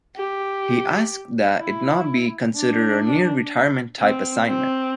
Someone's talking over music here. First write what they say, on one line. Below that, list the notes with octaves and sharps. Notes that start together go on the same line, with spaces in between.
He asked that it not be considered a near-retirement type assignment.
G4
E4
D4
C4
C4